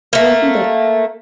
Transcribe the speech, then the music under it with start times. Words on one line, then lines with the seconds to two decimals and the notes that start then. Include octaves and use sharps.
Well, I think that
0.13 A3 A#3